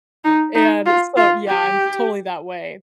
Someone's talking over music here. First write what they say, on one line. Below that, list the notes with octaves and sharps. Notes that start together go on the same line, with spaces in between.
and so, yeah, I'm totally that way.
D#4
D#4
F4
F4
G4